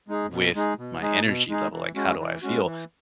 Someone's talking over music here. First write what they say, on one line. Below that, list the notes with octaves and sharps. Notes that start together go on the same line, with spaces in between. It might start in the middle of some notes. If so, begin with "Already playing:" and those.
with my energy level. Like, how do I feel?
G#3 D#4 G#4
B2
G#3 D#4 G#4
B2
G#3 D#4 G#4
B2
G#3 D#4 G#4
E3
G#3 C#4 F#4
E3
G#3 C#4 F#4
E3